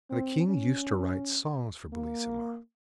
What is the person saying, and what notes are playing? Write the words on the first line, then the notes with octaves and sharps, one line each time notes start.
And the King used to write songs for Bellissima.
C4
C#4
A#3